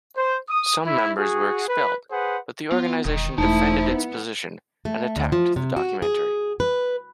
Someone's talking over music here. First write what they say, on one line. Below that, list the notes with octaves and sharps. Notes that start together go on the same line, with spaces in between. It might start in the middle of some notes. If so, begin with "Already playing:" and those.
Some members were expelled, but the organisation defended its position and attacked the documentary.
C5
D#6
E4
F#4 G#4
B4
G#4 B4 C5 F#5
B3 F4
E1 D#3
E1 A3 D#4 E4 C5 A5
B3
A3
D2
F3
C3
F#4
G#4
B4